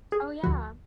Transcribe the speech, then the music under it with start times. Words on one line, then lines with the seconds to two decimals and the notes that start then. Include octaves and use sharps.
Oh, yeah.
0.12 G#4
0.43 D2 D3 F3 F#4